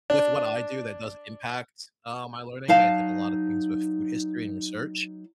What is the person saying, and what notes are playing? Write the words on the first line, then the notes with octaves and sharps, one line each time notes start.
with what I do, that does impact, uh, my learning, I did a lot of things with food history and research,
D4
F#3 D#4 F5 A5